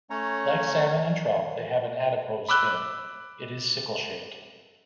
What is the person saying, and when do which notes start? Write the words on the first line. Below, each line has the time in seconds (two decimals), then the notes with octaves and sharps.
Like salmon and trout they have an adipose fin; it is sickle-shaped.
0.10 A3 C#4 C#5 A#5
2.49 B5 D6 E6 F#6